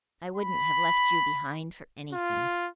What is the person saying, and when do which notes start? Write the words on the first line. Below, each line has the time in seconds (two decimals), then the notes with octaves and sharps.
I wouldn't have left you behind for anything!
0.37 B5
2.13 F4